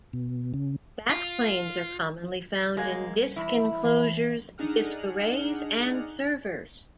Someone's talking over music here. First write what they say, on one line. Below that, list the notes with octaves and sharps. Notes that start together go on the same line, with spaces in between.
Backplanes are commonly found in disk enclosures, disk arrays, and servers.
B2
C#3
F4
G3 G#3 A#3 G#6
E2 E4
E3 E5
D4 D#4 G#4 F#5 F6